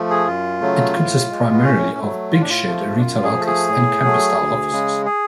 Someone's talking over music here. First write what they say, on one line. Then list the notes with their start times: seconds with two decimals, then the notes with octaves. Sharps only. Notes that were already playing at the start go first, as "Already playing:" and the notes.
It consists primarily of 'big shed' retail outlets and campus style offices.
Already playing: F3 A3
0.10 G#4
0.27 F#2 F4
0.61 C#3 F#3 A3
0.96 A2
1.30 G#3
1.53 B3
1.64 A2 C#4
1.98 F#3 A3
2.33 A2 F4
2.41 D4
2.50 F4
2.66 F3 A3
2.97 D4
3.00 F#2 F4
3.24 G#4
3.35 F3 A3
3.46 G#4
3.69 A2
4.04 F#3 A3
4.38 D2
4.72 C#3 G#3
5.06 G#4